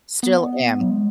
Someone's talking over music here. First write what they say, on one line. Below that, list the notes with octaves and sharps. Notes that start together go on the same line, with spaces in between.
Still am.
B3
F#3
G#3